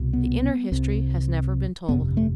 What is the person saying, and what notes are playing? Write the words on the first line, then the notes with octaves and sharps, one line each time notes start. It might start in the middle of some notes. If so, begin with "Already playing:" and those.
The inner history has never been told.
Already playing: C2 B2
B3
C2 C3
G1 F2 C3 B3
A3